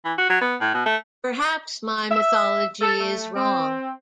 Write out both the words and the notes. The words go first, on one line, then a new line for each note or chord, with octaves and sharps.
Perhaps my mythology is wrong.
E3
F#4
F#3
B3
A2
B2
A3
E5
A4
A3
C4